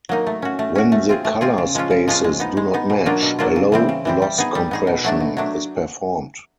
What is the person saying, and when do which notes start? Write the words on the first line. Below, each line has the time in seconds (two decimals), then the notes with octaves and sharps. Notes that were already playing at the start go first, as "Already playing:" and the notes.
When the color spaces do not match, a low loss compression is performed.
0.09 F#3 A#3 D#4
0.27 A3
0.42 C#4 F#4
0.59 A3
0.75 C#4 F#4
0.92 A3
1.09 C4 F4 G#4
1.25 A3
1.41 C4 F4 G#4
1.58 C#3
1.75 F3 G#3 C#4 F4
1.91 C#3
2.08 F3 G#3 C#4 F4
2.24 G#3
2.40 B3 D#4
2.57 G#3
2.74 B3 D#4
2.90 B2
3.06 F#3 A#3 D4 F4
3.22 B2
3.39 F#3 A#3 D4 F4
3.56 C#3
3.72 E3 G3 C4
3.89 C#3
4.05 E3 G3 C4
4.22 G3
4.38 B3 D#4 G#4
4.55 G3
4.71 B3 D#4 G#4
4.87 B2
5.04 F#3 A3 D4
5.20 B2
5.37 F#3 A3 D4